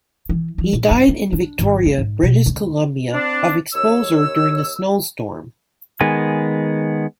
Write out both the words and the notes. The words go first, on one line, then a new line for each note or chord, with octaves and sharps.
He died in Victoria, British Columbia of exposure during a snowstorm.
E3
F3
A#2
G2
A#3
D4
G#1
A#3
G#2
B2
D2
C4 D4
D#2 C#5 E6
D#3 G#3 B3 G#5